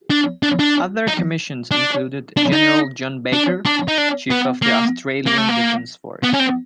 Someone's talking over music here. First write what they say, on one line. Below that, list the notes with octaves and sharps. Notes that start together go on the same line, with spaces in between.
Other commissions included General John Baker, Chief of the Australian Defence Force.
D4
D4
D4
D#4
D4
D4
D#4
D4
D4
D#4
D4
B3
A#3
A#3
A3
A#3
B3
C#4
C4